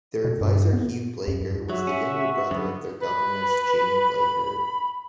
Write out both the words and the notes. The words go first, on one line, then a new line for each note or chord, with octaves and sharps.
Their advisor Hugh Blaker was the younger brother of their governess Jane Blaker.
B2
G2
B3
F#2
F#3 F#4 E5
C#4
F#2 D3 B3
B4 B5